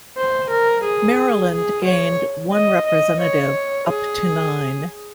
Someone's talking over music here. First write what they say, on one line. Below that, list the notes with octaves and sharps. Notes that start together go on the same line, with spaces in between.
Maryland gained one representative, up to nine.
C5
A#4
G#4
G#4
C#5
D#5
D#5
C#5
G#4